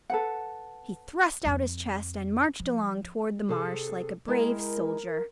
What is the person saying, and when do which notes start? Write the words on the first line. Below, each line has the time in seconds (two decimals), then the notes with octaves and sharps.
He thrust out his chest and marched along toward the marsh like a brave soldier.
0.10 A4 B4 F#5
1.45 F2 E4
2.60 F3
3.49 C3 G#4 A4
4.28 G#3 E4 A#4 G5